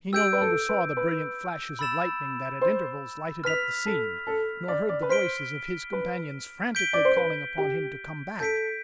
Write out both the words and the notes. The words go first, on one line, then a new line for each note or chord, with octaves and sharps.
He no longer saw the brilliant flashes of lightning that at intervals lighted up the scene, nor heard the voices of his companions frantically calling upon him to come back.
G4 E6 G6 D7
B4
A4
B4
B4
B5 E6 A6 E7
C5
B4 F6 B6 F7
A4
A4
D5
D5
B4
C5 F6 B6 D7 G7
B4
G6 B6 D7 G7
D5
C5
B4
G4
A4 G6 B6 D7